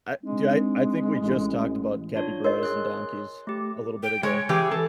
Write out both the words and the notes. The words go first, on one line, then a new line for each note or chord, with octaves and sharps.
I do I I think we just talked about capibaras and donkeys a little bit ago.
G#3 C4 D4 D#4
A1
D4 F4 C#5
A#4 C#5 D#5 C6
G#4 C6 F#6
A3 G4
G5
G#3 C#5
E3 G4 G#4
A4